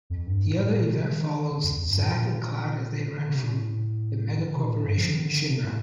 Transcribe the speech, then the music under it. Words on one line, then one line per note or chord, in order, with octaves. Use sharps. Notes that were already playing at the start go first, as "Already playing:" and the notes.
The other event follows Zack and Cloud as they run from the megacorporation Shinra.
F2
G2
A2
A2
A#2
C3
D#3
D3
D#3
D3
F2
F2
G2
A#2
A#2
D3
D3
C3
A#2
A2
D#3
D3
C3
A#2
A2
G2
F3
D#3
D3
C3
A2